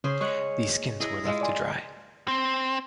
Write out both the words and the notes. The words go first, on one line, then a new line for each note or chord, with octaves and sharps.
These skins were left to dry.
C#3 C#4 G#4 C5
G#3 C#5 F#5 C#6
E4 G#4 D#5
G#3 E4 F4
D5 G#5 C6
C4